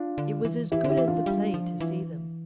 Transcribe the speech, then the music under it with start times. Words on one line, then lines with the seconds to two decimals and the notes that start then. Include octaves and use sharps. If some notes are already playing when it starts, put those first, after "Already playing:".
It was as good as the play to see them.
Already playing: D4 F4
0.18 D3
0.45 E3
0.72 E3 E4 G4
0.84 D3
0.90 E4 G4
0.97 E3
1.08 D4 F4
1.26 G3
1.54 F3
1.80 E3